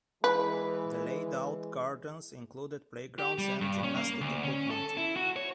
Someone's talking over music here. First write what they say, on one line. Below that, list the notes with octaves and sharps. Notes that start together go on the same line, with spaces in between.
The laid out gardens included playgrounds and gymnastic equipment.
E3 G#3 B4
G4
G3
G2
C#4
A#3
D2
C#4
A4
E4
F#4
C#5